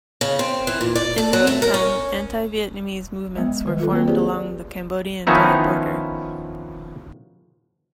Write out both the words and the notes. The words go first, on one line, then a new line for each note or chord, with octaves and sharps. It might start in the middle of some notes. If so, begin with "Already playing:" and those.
In the meantime, anti-Vietnamese movements were formed along the Cambodian-Thai border.
C#3
C4
E3
A#2
D5
A4
F#3
A3
A#4
C#4
F#3 G#3 B3
D#3 G3 B4
F4 A4
A#3 C4 B4
F4 G4 G#4 C5 D5
D#3 F3 B3 C#4 D#4 E4